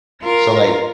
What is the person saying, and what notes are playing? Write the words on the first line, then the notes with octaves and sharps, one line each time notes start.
so like
F4 A#4